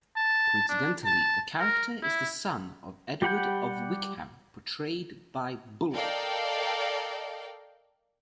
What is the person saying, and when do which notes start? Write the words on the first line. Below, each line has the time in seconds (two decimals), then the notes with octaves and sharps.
Coincidently the character is the son of Edward of Wickham portrayed by Bulloch.
0.16 A5
0.69 D4
1.05 A5
1.59 A#4
2.03 E4
3.22 G3 G4 F#5 B5 G6
5.94 A4 A#4 D5 D#5 F5 G5